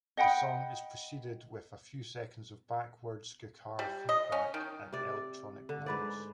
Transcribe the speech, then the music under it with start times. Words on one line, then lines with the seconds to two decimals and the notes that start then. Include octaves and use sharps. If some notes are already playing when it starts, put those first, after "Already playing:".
The song is preceded with a few seconds of backwards-guitar feedback and electronic noise.
0.17 D#5 F#5 G5 B5
3.79 G3
4.09 D#5
4.32 C#4
4.54 D#3
4.92 C3 D5
5.69 D3
5.86 G#2 B4 D5